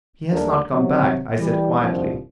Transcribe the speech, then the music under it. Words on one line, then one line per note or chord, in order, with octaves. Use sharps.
"He has not come back," I said quietly.
D#2 G3 A3 D4 G#4 A#4
C3 D#3 F#3
E3 G3
C2 G2 D#3 F3